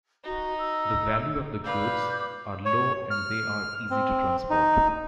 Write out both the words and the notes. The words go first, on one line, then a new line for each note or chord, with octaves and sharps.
The value of the goods are low and they are easy to transport.
D#4 F#4
E6
B4 D5 F5 D6 G6
C#5
F6
C4
D#4